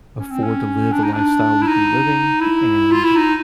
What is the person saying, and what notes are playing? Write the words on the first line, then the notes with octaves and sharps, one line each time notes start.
afford to live the lifestyle we've been living and
C#4
C4
C#4
D4
D#4
D4
E4
D#4
E4
F4
E4
D#4